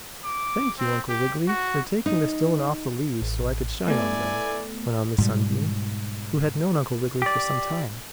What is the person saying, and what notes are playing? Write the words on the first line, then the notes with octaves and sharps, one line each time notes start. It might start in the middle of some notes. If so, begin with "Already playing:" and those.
"Thank you, Uncle Wiggily, for taking the stone off the leaves so I could shine on them," went on the sunbeam, who had known Uncle Wiggily for some time.
D6
C4
G4
F#4
D#4
A1
A3 B3 E4 A4 D5 G#5
G#2 B2 G3
G4 D5